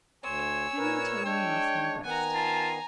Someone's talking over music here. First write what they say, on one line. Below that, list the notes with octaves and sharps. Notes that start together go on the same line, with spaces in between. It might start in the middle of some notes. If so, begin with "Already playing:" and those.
Henry Tilney must know best.
D2 C#5 G#5 C6 E6
A#2 A#4 B4
G#3 D4 C#5 G5
D#3 B3 F#5 G#5 A#5
F4 A5